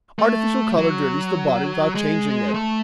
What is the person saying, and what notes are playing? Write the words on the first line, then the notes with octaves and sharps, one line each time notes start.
Artificial color dirties the body without changing it.
A3
F#3
G#3
A3